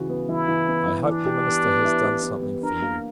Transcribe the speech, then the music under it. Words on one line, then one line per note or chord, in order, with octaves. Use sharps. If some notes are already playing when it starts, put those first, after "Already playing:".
I hope, the minister has done something for you.
Already playing: C#3 E3 F#4
B3
E3 E4
E3
B3
E3
E3 D4
G4
B3
B3
E4
G4
B3
B3
D4 A#4
A#3